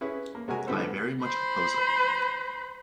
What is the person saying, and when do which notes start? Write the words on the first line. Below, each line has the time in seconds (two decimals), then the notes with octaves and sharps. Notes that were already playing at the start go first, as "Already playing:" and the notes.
I very much oppose it.
0.01 C#4 E4 G#4 B4
0.35 A#3
0.48 C3 G#3 F#4 A#4 G#5
0.67 A2 D3 G3 B3 A4 C5
1.22 C5 B5